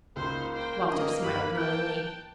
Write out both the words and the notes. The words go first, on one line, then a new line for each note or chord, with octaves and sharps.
Walter smiled knowingly.
C#2 A#3 D#4 C5 C6
C5 G5
D#3 C#4 D4 D#5
G2 B4 B5
G5 A5 F#6